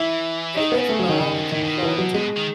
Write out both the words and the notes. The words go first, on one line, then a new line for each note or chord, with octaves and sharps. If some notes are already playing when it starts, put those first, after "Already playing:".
They live a long, long time.
Already playing: E3 E4
D#3 D#4
C#3 B3
A3
F#3
D#3
D#3
F#2
G#2
A2 D#3
C#3
B2
E3
F#3
B2 G#3
D#3